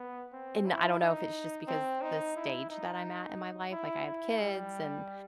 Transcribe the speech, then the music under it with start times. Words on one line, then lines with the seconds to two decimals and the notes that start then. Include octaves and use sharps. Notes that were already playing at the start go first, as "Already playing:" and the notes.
and I don't know if it's just because the stage that I'm at in my life. Like, I have kids, and,
Already playing: B3
0.33 C4
0.66 E4
1.00 D#4
1.68 C4
2.02 D#4
2.36 E4
2.71 D#4
3.72 E4
4.06 E4
4.40 G3